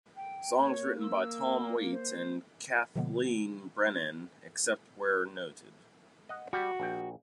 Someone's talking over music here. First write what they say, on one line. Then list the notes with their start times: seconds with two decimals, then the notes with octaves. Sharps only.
Songs written by Tom Waits and Kathleen Brennan, except where noted.
0.16 G5
0.60 A#3 C#5
1.00 E6
1.92 C5
2.96 B2 D3 F3 G#3 A#3 B3
6.29 D#5 F#5
6.53 G3 F#4
6.80 A#1 G5